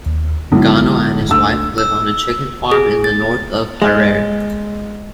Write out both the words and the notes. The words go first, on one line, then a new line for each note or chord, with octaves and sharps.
Gono and his wife live on a chicken farm in the north of Harare.
D#2
B1 D3 G#3 E4
D2 E6
E6
G#4
A6
G#3